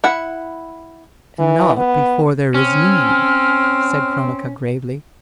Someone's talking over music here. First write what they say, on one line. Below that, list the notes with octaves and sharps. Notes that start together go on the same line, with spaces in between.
"And not before there is need," said Cronaca, gravely.
E4 F#5
E3
B3
C4 C#4 F6